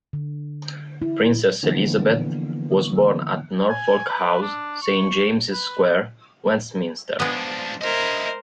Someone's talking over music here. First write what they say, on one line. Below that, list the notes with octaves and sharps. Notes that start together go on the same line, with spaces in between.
Princess Elizabeth was born at Norfolk House, Saint James's Square, Westminster.
D3
E4
D3 E3 F3 A#3 B3 D4
G#5
B4
D4
C#6
B4
F3 G#3 B3 D4
E4 A#4 C5 D#5